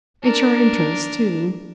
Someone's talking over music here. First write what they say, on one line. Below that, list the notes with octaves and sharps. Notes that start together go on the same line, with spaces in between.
"It's your interest, too."
D4 A#4